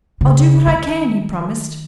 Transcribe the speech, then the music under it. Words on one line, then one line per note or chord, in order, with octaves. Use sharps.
"I'll do what I can," he promised.
C#3
D#3